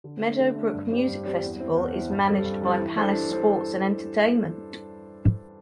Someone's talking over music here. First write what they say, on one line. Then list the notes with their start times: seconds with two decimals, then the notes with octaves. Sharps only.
Meadow Brook Music Festival is managed by Palace Sports and Entertainment.
0.04 D3
0.21 A3 D4
0.39 D3
0.56 A3 D4
0.73 G2
0.90 G3 C4 G4 D5
1.08 G2
1.25 G3 C4 G4 D5
1.42 E2
1.59 E3 C4
1.76 E2
1.93 E3 C4
2.10 G2
2.28 G3 C4 A4
2.45 G2
2.62 G3 C4 A4
2.79 E3
2.96 G3 D4 A4 C5
3.14 E3
3.31 G3 D4 A4 C5